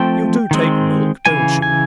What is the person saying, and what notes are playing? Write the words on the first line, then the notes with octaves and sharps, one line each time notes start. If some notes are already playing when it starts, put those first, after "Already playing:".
You do take milk, don't you?
Already playing: F3 A3 C4 G5
D#3 G#3 C4
C#3 E3 G3 G#5
G#5